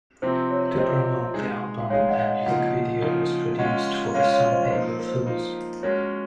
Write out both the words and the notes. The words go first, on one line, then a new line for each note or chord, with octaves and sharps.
To promote the album, a music video was produced for the song "April Fools".
C3 F3 C4 C5
C#5
C3 F3 C4 C5 D#5
G#3 D#4 G#4
G#3 D#4 G#4 C#5 F5
D#5 F#5
D#5 F#5
C#3 F3 A#3 D#4 D#5 F#5
C#3 F3 A#3 D#4
G#3 C#4 F4 D#5 F#5
G#3 C#4 F4 C#5 F5
C#5 F5
C5 D#5
F3 A#3 D#4 C5
A#4
A#4
C5
F3 A#3 D#4
G#3 C#4 F#4 A#4 C#5